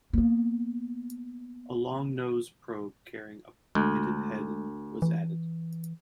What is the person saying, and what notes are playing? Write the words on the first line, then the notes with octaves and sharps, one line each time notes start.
A long nose probe carrying a pitot head was added.
A#3 B3
D2 G#3
E3